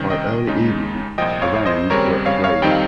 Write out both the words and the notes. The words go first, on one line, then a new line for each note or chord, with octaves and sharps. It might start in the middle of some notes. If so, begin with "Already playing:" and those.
By early evening, around were ablaze.
Already playing: C3 D#3 G3 C#4
D#5 G5
D#2 C#3 G#3 D#4
C2 A#2 F3 D#5 G5
C#5 F5
C5 D#5
D#2 C#3 G3 C4 A#4 C#5
C#5 F5
C#5 F5
F2 D#3 G3 C4 D#4 G5
F5